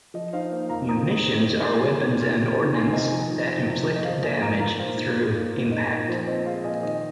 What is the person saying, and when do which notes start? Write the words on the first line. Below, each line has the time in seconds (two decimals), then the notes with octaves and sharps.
Munitions are weapons and ordnance that inflict damage through impact.
0.14 F3 D#5
0.33 D#4 C5 F5
0.51 A#3 C5 F5
0.69 F2 F5 A#5
0.88 D#3 A#5 D#6
1.07 D#4
1.26 C4
1.44 G#2
1.63 G#3 G#5 C6
1.81 A#2
2.00 D#4
2.18 A#2
2.37 D#3
2.56 D#4
2.74 C4 G#5 C6
2.93 C3 D#5 G#5
3.12 F3
3.30 D#4
3.49 C4
3.67 C3
3.86 F3
3.96 D#5
4.04 G#2 C5 F5
4.23 A#3 D#5 G#5
4.41 G#2 F5 A#5
4.60 A#3 F5 A#5
4.79 A#2 C5 F5
4.97 D#4
5.16 A#2
5.35 A#3
5.53 A#2
5.71 D#4 D#5
5.90 A#2 D#5
6.09 F3 C5
6.21 C5
6.27 C4 D#5
6.45 G#3 C5 F5
6.64 A#2 D#5 G#5
6.83 D#3 D#5